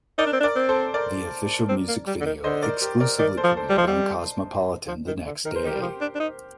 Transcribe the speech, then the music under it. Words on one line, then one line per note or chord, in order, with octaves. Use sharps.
The official music video exclusively premiered on Cosmopolitan the next day.
D#4 A#4 D5
D4
C4
D4
A#4 D5
C4
A4 C5
A#4 D5
C4
A#3
G3
D3
D#3
D3 C5 D#5
A#4 D5
G4 A#4
A#4 D5
D#3 A#4 D5
A4 C5
F3
A4 C5
G3
F3 C5 D#5
G3
F3
D#3
D3
D#3 A#4
C5
D#3
G4 A#4
G3
F3
D4
D4
D#4